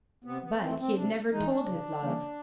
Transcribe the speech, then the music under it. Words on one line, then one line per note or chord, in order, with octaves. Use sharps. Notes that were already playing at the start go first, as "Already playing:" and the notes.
But he had never told his love.
C3 B3
B3
E3 A3 C4
C4
C3 D4
E3 G#3 D#4
D4
C#3
E3 G3 A#3